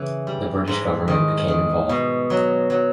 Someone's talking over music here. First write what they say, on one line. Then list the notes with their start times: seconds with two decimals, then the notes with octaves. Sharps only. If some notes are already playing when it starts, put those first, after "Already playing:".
The British government became involved.
Already playing: C#3 E3
0.27 G3
0.68 G#2
1.08 D#3
1.48 D#3
1.89 B2
2.30 F#3
2.70 F#3